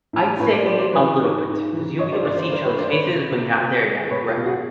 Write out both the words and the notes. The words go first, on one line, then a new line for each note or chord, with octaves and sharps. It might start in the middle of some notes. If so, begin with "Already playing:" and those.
I'd say a little bit, 'cause you'll be able to see each other's faces, but you're not there direct.
A2
A2 B4 C#5
C5 D5
F#3 C5 D5
C5 D5
E3 B4 C#5
G#2
G#2
E3
G2 C#5 D#5
C5 D5
G2 C5 D5
C5 D5
G2 A#4 C5
B4 C#5
G2 C5 D5
B4 C#5
C3
C3
C3
G#3
B2 B4 C#5
F4 G4
B2
F#4 G#4